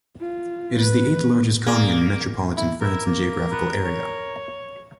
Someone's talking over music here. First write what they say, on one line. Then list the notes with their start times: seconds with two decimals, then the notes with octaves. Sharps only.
It is the eighth-largest commune in metropolitan France in geographical area.
0.21 F4
0.81 B4
1.67 A#3 G#4 D5 A#5
2.57 E4
2.81 E4 A#4
3.05 A#3
3.51 B3
3.84 C#5